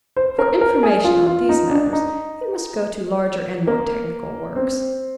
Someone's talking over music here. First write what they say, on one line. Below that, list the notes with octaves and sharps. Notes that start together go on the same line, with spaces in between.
For information on these matters they must go to larger and more technical works.
C5
A#4
A#4
G#4
F4
F4
D#4
D4
D#4
A#3
C4